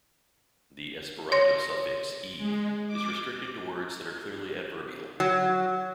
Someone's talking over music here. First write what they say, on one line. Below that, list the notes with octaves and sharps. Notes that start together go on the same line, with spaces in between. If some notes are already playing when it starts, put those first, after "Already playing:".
The Esperanto suffix "-e" is restricted to words that are clearly adverbial.
C#5 C6 A#6
G#3
D6
F#3